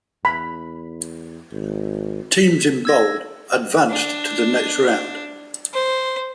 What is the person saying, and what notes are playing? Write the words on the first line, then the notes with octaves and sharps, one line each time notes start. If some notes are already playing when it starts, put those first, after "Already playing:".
Teams in bold advanced to the next round.
E2 B5
G#1
B6
E6 G#6 A#6
D4
C5